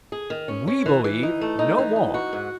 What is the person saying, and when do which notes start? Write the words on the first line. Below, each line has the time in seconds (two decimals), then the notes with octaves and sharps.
We believe no more.
0.12 G#4
0.30 D#3
0.48 C#4
0.67 C#4
0.86 E3
1.04 E3
1.23 D#4
1.41 A3
1.59 D#4
1.78 E3
1.96 D#4
2.14 F#4
2.33 G#2